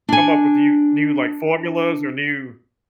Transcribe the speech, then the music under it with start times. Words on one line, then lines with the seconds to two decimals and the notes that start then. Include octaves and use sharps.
come up with you new like formulas or new
0.09 D4 G#5